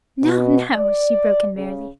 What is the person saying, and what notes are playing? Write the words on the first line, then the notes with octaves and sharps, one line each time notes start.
"No, no!" she broke in merrily.
B2
D5
C#3